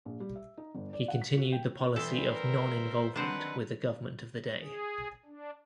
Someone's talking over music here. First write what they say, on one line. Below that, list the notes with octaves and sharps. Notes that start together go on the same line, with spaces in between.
He continued the policy of non-involvement with the government of the day.
A#1
G3
E5
D#4
G1
D5
F#5
B6
F#4
G5
E3 G3 B3 A4 C5 E5
A#4
D3 D#3 F#3 C4 D4 B4 C5 F#5
G#4
D4